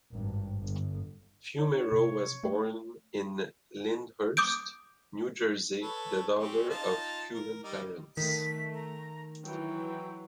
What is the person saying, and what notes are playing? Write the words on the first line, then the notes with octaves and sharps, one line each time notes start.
Fumero was born in Lyndhurst, New Jersey, the daughter of Cuban parents.
G#1 G2
G1
D#4 C#5
C3
A3
D6 D#6 G6 D7
A4 B4 C#5
C4 C#4 G4
D#4 F4 A5
A#4
G3 D#4
D#3 A3 B6
A#5
E3 F#3 G5